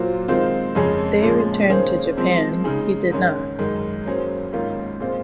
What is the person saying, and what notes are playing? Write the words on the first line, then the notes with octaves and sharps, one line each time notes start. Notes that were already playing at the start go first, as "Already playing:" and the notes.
They returned to Japan; he did not.
Already playing: A#2 F#3 A#3 F4 C5
D#3 G#3 C4 F4 C5
F2 C#3 G#3 C#4 G#4
A#2 F3 G#3 C#4
D#3 A#3 C#4 G#4 C5
F3 G#3 C4
C#3 G#3 D#4 G#4
G#2 D#3 G#3 C#4
F#2 D#3 G#3
F#3 A#3 C#4 G#4 C5
G#2 D#3 A#3 C#4 F4
A#2 G#3 C4 F4 C5